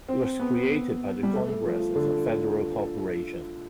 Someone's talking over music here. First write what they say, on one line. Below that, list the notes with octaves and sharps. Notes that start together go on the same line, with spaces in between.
It was created by the Congress as a Federal Corporation.
C4
B3
G3
A3
A3
F3
F3
D3